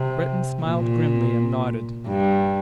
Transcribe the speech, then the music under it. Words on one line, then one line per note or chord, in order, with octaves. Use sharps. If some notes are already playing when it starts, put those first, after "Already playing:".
Breton smiled grimly and nodded.
Already playing: C3
A#2
G2